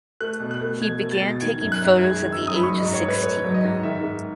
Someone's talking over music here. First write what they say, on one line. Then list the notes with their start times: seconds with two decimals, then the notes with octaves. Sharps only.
He began taking photos at the age of sixteen.
0.21 A3 F#6
0.40 B2
0.51 F#6
0.62 A3
0.80 B2 G#6
1.01 A3
1.11 A6
1.22 B2
1.41 D#3 G#6
1.61 F#2 G#6
1.72 F#6
1.82 F#2
2.02 G#3 G#6
2.17 G#6
2.22 D#3
2.32 E6
2.43 F#2 D#6
2.56 B5
2.63 F#3 C#6
2.78 D#5
2.82 G#2
2.94 C#5
3.03 G#2 B4
3.23 A3 C#5
3.44 F#3
3.54 D#5
3.64 G#2
3.83 D#3 E5
4.04 G#2